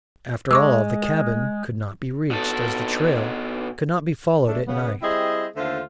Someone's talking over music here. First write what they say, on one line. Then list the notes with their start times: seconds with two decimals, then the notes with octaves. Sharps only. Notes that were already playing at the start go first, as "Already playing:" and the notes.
After all, the cabin could not be reached, as the trail could not be followed at night.
0.51 G#3 C#6 D6 E6
2.31 B2 A4
4.47 A3 D4
4.67 C#3 B3
5.02 G3 C4 E4 G#4 C5 D#5
5.56 D#2 D3 A3 F4 C5